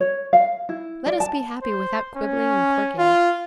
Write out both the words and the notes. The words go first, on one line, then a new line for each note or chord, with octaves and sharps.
Let us be happy without quibbling and quirking.
C#5
F5
E4
D5
A5
C5
C#4
F4